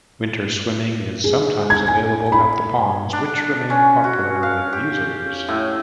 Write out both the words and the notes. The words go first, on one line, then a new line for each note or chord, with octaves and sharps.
Winter swimming is sometimes available at the ponds, which remain popular with users.
G#4
G#6
G#5
B5
D4
C#4
F#4
F5
G4
A2